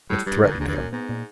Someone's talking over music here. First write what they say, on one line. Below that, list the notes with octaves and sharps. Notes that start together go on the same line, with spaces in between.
It threatened him.
A2 G3
G2 G3
F#2 D3
G2
G#2 D3
G2
F#2 A#2
G#2 B3
A#2